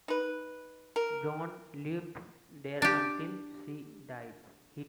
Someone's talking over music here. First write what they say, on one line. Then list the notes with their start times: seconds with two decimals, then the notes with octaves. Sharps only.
John lived there until he died.
0.08 D#4 B4
0.96 A#4
2.82 D4 G4